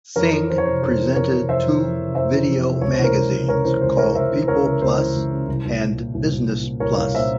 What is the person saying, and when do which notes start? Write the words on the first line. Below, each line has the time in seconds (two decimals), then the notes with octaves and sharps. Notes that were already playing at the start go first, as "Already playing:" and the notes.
Singh presented two video magazines called "People Plus" and "Business Plus".
0.16 F2 A#4 C#5
0.33 E3
0.50 F2 C5
0.58 C#5
0.66 C3 C5
0.82 F2 C5
0.99 E3
1.15 F2 A#4 C#5
1.33 C3
1.49 F2 C5 E5
1.66 E3
1.82 F2
2.00 C3
2.15 F2 C5 E5
2.33 E3
2.49 F2
2.65 C3
2.81 C#2 C#5
2.93 C5
2.99 E3
3.04 A#4 C#5
3.16 C#2
3.31 C#3
3.48 C#2 A#4 C#5
3.65 E3 C5
3.81 C#2 C5
3.98 C#3 A#4 C#5
4.15 C#2 C5 E5
4.32 E3
4.48 C#2 A#4 C#5
4.65 C#3 A#4
4.82 C#2 C5
4.98 E3
5.15 C#2
5.31 C#3
5.48 C2
5.65 C2
5.82 A#2
5.97 A#2
6.14 C2
6.32 C2
6.48 A#2
6.64 A#2
6.80 C2 A#4 C#5
6.97 C2 C#5 F5
7.14 A#2 C5 E5